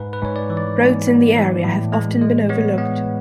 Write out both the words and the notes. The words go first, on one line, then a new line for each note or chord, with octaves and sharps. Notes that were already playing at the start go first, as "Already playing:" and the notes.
Roads in the area have often been overlooked.
Already playing: G#2 B4
B4
G#2 C#5
D5
E3
D5
G#2
B3
E3
A2
G#3
G#3
B3 C#5
B3